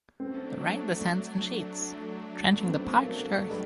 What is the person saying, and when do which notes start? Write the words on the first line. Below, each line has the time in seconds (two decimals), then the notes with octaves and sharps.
The rain descends in sheets, drenching the parched earth.
0.20 F#3 A3 C4 D4
2.58 B3
2.67 C4
2.76 B3
2.96 A#3
3.26 A#3
3.37 A3
3.50 G3